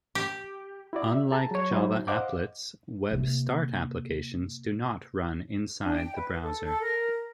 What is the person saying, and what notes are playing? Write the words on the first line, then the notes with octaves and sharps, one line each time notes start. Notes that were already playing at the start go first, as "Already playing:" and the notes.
Unlike Java applets, Web Start applications do not run inside the browser.
G4
E4 F#4 D5
E5
G#4 A5 A#5
F#3 C#5
F#3 D#4 E4 C5
C5 D#5 F5 F#5 D6
C3 A#3
D4
G5
B4
A4
A4
A#4